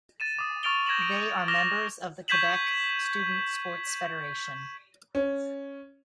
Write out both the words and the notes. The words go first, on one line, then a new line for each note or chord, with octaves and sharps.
They are members of the Quebec Student Sports Federation.
A6 D#7 E7
D6 D#6
C#6 F6 A6 D7 F7 G7
G6 G#6 A#6 D7 E7 F#7
D7 D#7
D6 F6 A#6 E7 F7 G7
C#6 G6 G#6 B6 E7 F#7
C#4